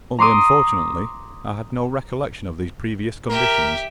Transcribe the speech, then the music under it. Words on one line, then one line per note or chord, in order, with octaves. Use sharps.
Only, unfortunately, I had no recollection of these previous conditions.
A#5 C6 D6 D#6
G4 A#4 E5